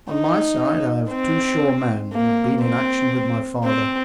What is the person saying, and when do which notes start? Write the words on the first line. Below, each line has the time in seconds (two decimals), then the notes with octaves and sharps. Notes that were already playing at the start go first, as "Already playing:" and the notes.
On my side I have two sure men, who have been in action with my father.
0.11 D#4
1.11 C4
2.13 A#3
2.63 C4
3.64 C4